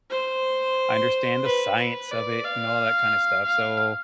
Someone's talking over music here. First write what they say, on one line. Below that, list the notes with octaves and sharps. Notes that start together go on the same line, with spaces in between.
I understand the science of it and all that kinda stuff, so
C5
B4
B4
D5
F5
F5